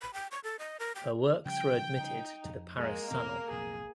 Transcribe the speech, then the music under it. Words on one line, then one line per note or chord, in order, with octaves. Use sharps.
Her works were admitted to the Paris Salon.
B5
G5
C#6
A4
D#5
A#4
G5
C#3 F3 G3 G5
D#4
F2
G#3 A#3
E2 B2 C4 A#4
B1 F2 A2 G#4